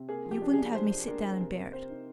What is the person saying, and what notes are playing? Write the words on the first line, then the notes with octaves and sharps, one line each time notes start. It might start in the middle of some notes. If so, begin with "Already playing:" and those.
You wouldn't have me sit down and bear it.
Already playing: C3
A#3 G#4
F3
G4
D4
D4 G#4
D4 C5
D4
D4 A#4
A#3
C3 A#4
C4
C4 C5
D#4